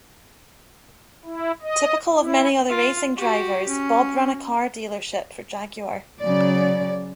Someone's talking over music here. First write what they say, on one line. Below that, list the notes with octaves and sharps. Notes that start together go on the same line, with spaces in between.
Typical of many other racing drivers, Bob ran a car dealership for Jaguar.
E4
D#5
E4
F4
F#4 G4
C#4
C#3 F#3 D5